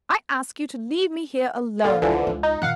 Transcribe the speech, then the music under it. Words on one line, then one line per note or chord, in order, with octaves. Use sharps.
I ask you to leave me here alone.
A#2 D3 F4
C#2 D3 E3 F3
C#2 F4
D#4
A#2 D#3 F5 F#5 F#6